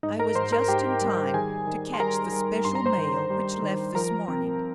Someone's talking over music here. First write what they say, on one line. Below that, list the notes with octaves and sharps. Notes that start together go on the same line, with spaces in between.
I was just in time to catch the special mail which left this morning.
G#2 D#4 D#5
A#4 A#5
G#2 C5 C6
A#4 A#5
G#2 G4 G5
G3
D#3 G#4 G#5
D#3
C6
G3 A#4 A#5
G3
G2 C6
A#5
C5 C6
D#3
G3
D#3
F3 A#4 A#5
C4